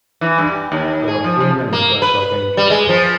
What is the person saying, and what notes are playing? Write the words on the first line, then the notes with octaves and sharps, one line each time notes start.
There are three women dressed like angels.
E3
G2
G4
D#2
G#4
F3
F3
A#3
B4
G3
G#3
F3